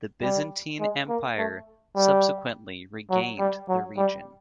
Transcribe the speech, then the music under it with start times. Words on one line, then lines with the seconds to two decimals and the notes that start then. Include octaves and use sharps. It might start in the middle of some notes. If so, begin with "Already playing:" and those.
The Byzantine Empire subsequently regained the region.
0.22 G3
0.80 G#3
1.09 A#3
1.38 A3
1.96 G3
3.10 F#3
3.39 G3
3.69 F#3
3.97 G3